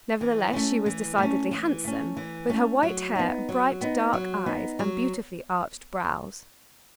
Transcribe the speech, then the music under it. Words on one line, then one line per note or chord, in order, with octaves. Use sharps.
Nevertheless, she was decidedly handsome, with her white hair, bright, dark eyes, and beautifully arched brows.
E3
A3 C#4
E3
A3 C#4
E3
A3 C#4
E3
A3 C#4
F#3
B3 D#4
F#3
B3 D#4
F#3
B3 D#4
F#3